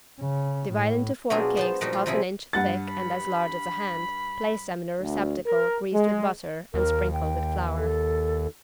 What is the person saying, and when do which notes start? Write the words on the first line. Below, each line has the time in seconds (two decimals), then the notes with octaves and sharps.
Divide into four cakes half an inch thick and as large as a hand, place them in a receptacle greased with butter and sprinkled with flour.
0.20 C#3
0.73 A2
1.30 B2 F#3 D4 F4 G#4
1.57 B3 C5 A5
1.81 A#2 F3 G3 D#4 F#4
1.93 F4
2.06 C3 F3 G3 E4 G#4
2.53 G2 F#5 A6
2.88 B5
5.01 D2
5.46 A#4
5.92 G#3
6.74 D#2 A#4
7.13 G5
7.78 A4